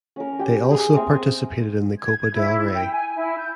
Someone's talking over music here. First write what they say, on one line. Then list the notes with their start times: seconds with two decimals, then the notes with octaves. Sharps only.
They also participated in the Copa del Rey.
0.16 C#4 A#4
0.39 G4 G5
0.71 G#4
0.96 C4 A#4 E5
2.00 G#6
2.35 E4
2.74 G5
2.92 G#5
3.16 E4
3.38 G6